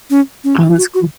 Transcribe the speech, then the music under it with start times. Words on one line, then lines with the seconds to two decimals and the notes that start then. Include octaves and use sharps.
Oh, that's cool.
0.10 C#4
0.44 C#4
0.78 F#4
0.94 F#4